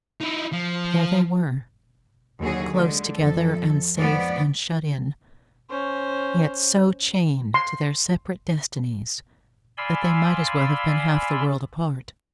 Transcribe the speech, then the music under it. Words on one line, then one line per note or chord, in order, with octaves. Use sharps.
There they were, close together and safe and shut in; yet so chained to their separate destinies that they might as well have been half the world apart.
D#4 E4
F3
D#2 D3 F#3 F#4 G#4
D3 G#3
F2 A4
F2 G#2 B3 D5
C#4 C5
C6
D5 F5 G#5 B5 C6 E6